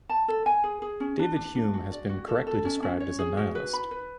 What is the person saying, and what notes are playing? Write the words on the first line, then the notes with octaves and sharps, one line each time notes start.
David Hume has been correctly described as a nihilist.
A5
A4
G#5
G#4
G#4
C#4
D4
D4
D4
F#4
D5
F#4
A4
A4
C#4
C#4
C#5
G#4
F#4
B4
B5
B4